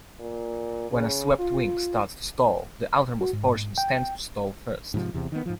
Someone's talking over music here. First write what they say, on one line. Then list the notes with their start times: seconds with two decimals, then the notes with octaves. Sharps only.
When a swept wing starts to stall, the outermost portions tend to stall first.
0.20 A#2
0.91 C#3
1.39 F4
3.21 F#4
3.33 G#2
3.78 G5
4.94 G#2 C3 F3
5.14 E2 C3
5.32 D#3 B3
5.46 G#2 F3